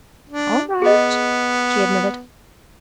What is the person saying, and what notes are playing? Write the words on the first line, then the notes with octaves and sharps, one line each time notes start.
"All right," she admitted.
D4
B3 G#4 D#5